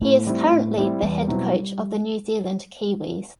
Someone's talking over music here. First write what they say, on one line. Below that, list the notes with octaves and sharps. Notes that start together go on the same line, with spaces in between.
He is currently the head coach of the New Zealand Kiwis.
A2 A3
G3 C4 E4
A2
G3 C4 E4
E2 G3
B2 F#3 C4 E4